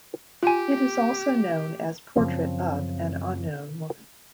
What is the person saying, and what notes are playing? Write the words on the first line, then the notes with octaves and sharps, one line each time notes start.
It is also known as Portrait of an Unknown Woman.
F4 G4 G#5
F#2 C#3 F3 C4